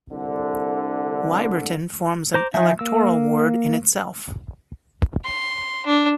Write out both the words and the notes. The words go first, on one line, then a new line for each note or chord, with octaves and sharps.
Wyberton forms an electoral ward in itself.
C2 D3
C5 A#5 D6
F3 D#4 E5 G#5
A#3 E6
C6
D4